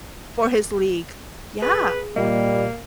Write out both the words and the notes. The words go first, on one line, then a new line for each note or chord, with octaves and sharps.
for his league. Yeah.
G#4 B4
A#2 G3 A#3 D#5